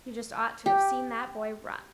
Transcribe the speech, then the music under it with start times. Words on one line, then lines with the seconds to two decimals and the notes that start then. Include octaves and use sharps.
You just ought to have seen that boy run!
0.66 G4